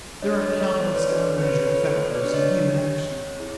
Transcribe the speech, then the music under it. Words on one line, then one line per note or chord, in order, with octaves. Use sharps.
There are countless unmeasured factors in human action.
D4 C#5 D#5
C#5 D#5
F#4 A4
C#5 D#5
B3 C5 D5
B4 C#5
D4 F#4 A4 C5
C#4 B4 C#5
F4 A4 B4 C#5
A3 C5
D5
B4 C#5
D4 G4
C#5 D#5
D4
G4
C4
E4 G#4